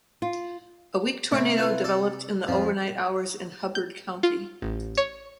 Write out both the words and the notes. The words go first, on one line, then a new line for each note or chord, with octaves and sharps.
A weak tornado developed in the overnight hours in Hubbard County.
F4
C3 A3
E4 F4 B4
A4 D5
F2 F3
G6
F4
A1
C#5